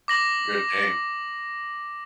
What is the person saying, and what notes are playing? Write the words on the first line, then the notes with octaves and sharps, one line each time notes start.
good game.
D6 A#6 F#7